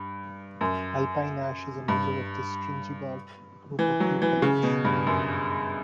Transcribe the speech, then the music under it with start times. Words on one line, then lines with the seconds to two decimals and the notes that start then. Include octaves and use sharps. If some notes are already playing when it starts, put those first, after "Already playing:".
Alpine ash is a member of the Stringybark Group of eucalypts.
Already playing: G2
0.61 F#2
1.88 G2
3.79 E3
4.00 F#3
4.22 E3
4.42 C#3
4.63 B2
4.85 G2
5.07 F#2